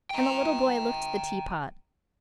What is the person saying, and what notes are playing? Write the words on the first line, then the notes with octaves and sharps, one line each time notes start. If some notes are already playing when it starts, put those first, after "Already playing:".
And the little boy looked at the tea-pot.
G5 A#5